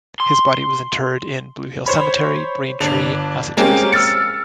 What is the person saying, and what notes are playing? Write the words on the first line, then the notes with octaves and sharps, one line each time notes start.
His body was interred in Blue Hill Cemetery, Braintree, Massachusetts.
C6
C5 C#5 B5
G1 D4 F7
G#3 A#3 C4 C#4 G4 G#4
E6 F6 A6 C#7